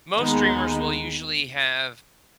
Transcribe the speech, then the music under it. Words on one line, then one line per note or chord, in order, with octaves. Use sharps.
Most streamers will usually have
D#2 D#3 G#3 B3 D#4